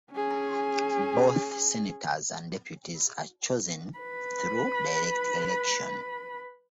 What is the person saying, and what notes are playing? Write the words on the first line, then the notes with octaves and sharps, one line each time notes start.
Both senators and deputies are chosen through direct election.
C#4 G#4
B4 B5